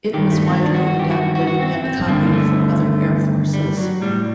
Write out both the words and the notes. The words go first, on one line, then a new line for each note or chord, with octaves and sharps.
It was widely adapted and copied for other air forces.
G2 D#3 G4
A3
C4
D4
F#4
F#4
G4
F#4
F#4
F#4
F#4
C4
C4
G2 D3 A#3
A3
G3
F#3
A2 G3